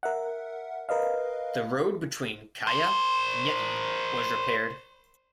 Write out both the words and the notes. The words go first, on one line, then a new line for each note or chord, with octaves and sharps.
The road between Kaya and Yei was repaired.
A#4 E5 F#5
A#4 B4 D#5 F5
A#4 C5